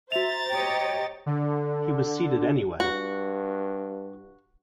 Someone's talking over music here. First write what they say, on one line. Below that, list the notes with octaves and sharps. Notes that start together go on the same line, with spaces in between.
He was seated anyway.
F#4 C5 E5 A#5 A6 F7
G4 C#5 D#5 G5
D3
G2 F#4